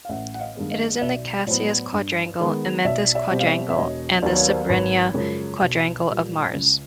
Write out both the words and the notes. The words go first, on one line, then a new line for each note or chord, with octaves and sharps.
It is in the Casius quadrangle, Amenthes quadrangle, and the Cebrenia quadrangle of Mars.
F5
A1 E5 F#5
F#5
D#5 F5
G2 D#3 G#3 B3
D#5 F5
B1 D5 E5
A2 F#3 B3 C5 D5
G2
D#3 G#3 B3
B1 D5 E5
D5 E5
B2 G3 C4
F5
D5 E5
E5
E1 C#5 D#5
D#2 D#3 F#3 B3 D5
C#5
C5 D5
G#1 B4 C#5
F#2 C#3 F3 G#3
B1
A#2 G3
C#2